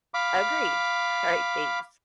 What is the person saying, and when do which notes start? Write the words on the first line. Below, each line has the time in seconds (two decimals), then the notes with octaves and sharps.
Agreed. Alright, thanks.
0.14 F5 B5 D6